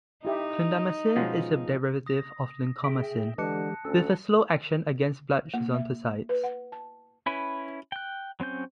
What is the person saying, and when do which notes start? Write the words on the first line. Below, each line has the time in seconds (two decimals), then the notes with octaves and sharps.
Clindamycin is a derivative of lincomycin, with a slow action against blood schizonticides.
0.25 D#4 E4 G4 E5
1.16 B2 F3 G#3 C#4 F#5
2.06 D#6 A#6
2.84 G#4 E5 G5
3.38 D3 E3 G#3 G4 A5 F#6 C#7
3.85 D2 C#4 A4
5.54 A#3
5.74 E5
6.29 B4
6.44 F#5
6.72 A5
7.26 C#4 E4 B4
7.92 G5 F#6
8.40 F#3 C4 C#4 G6